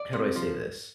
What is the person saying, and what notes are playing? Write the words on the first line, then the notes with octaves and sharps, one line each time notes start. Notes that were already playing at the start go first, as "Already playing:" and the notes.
how do I say this?
Already playing: D5
C3
F3